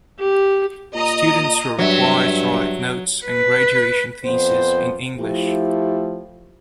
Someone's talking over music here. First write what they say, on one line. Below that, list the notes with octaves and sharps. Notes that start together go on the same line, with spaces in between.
Students were required to write notes and graduation theses in English.
G4
A#2 D#5 A#5 D#6
G2 F#3 E5
B4
F2 B3 C5
F3 A3 E4 G4